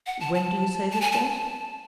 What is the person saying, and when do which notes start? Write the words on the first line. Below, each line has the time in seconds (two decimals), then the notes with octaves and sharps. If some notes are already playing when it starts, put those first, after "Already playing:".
"When do you say this was?"
0.07 F#5
0.20 A5
0.34 A5
0.91 A5
1.01 G#5
1.12 A5